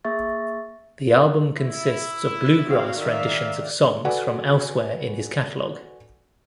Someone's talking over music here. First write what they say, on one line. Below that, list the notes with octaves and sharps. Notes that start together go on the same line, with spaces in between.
The album consists of bluegrass renditions of songs from elsewhere in his catalog.
A#3 G#4 E5 C#6 A6
E4
C4 F#4 F5
D#3 D5 E5 F5
F#4 A4 B4 D5 F#5 G#5